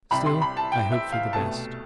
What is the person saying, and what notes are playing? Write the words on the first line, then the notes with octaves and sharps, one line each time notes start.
Still I hope for the best.
C2 C3 G3 C4 B5
C6
B5
A5
G5
E5
F5
C2 B2 A3 A5